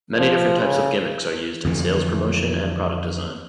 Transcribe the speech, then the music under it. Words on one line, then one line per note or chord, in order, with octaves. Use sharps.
Many different types of gimmicks are used in sales promotion and product design.
F3
C#3
F2 D3 E3